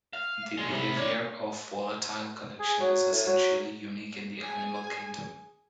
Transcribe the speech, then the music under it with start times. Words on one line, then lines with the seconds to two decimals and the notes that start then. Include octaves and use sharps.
The behavior of volatile collection is essentially unique in the animal kingdom.
0.13 F5
0.57 B1 G#3
0.70 C3 E4
0.96 D4 C#5
2.60 G#4
2.80 F#3
3.12 A2
3.26 F#3
4.37 G#4 G#5